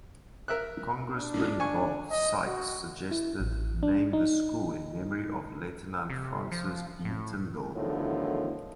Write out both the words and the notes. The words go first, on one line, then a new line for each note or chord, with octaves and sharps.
Congressman Bob Sikes suggested naming the school in memory of Lieutenant Francis B. Tyndall.
A#4 E5 F#6
D4
G#5 C#6
D#5
F#4
E4
A1
D4
D#4
C3
F3
A2
E2 A2 D3 D#3 F3 F#3